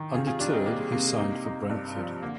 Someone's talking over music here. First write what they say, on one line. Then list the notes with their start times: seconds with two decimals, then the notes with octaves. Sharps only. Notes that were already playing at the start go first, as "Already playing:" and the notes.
Undeterred, he signed for Brentford.
Already playing: D#3
0.14 C3 F4 G#4
0.27 F4 G#4
0.40 G3 D4 F4
0.53 C4 D#4
0.66 G3 A#3
0.79 G#3
0.91 C3 A#3
1.05 G#3
1.18 A#3 D#4
1.45 D#4
1.70 G2
1.96 F3
2.22 D3 A#3